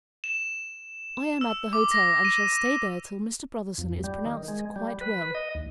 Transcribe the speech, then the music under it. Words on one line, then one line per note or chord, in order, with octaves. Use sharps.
I am at the hotel and shall stay there till Mr. Brotherson is pronounced quite well.
E7
E6
D6
A#6
D#7
F2
G3
D#3
G#3
G3
B4
D#5
D#2